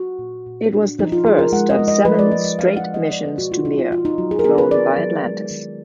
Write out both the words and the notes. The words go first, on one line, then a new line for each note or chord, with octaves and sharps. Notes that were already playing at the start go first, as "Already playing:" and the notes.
It was the first of seven straight missions to "Mir" flown by "Atlantis".
Already playing: F#4
A#2
A#2
D4
F3 D#4
F4
F3 G#4
A#4
G#3 F#5
D#5
G#3
D#5
F3 B4
D5
F3 D#5
D#5
D4 F5
F#5
G#3
D#5
D#4 D5
B4
B2 F#4
F4
B2 D#4
F4
D#4 F4
D#4
F#3 F#4
G#4
A#4
B3 G#4
B4
D#3 D5
F#3
G#3
D#3